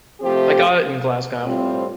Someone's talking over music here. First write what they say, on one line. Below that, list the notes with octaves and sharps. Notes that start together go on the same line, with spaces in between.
I got it in Glasgow.
C3 F3 A3 C4 G4
A2 G3 C4 F4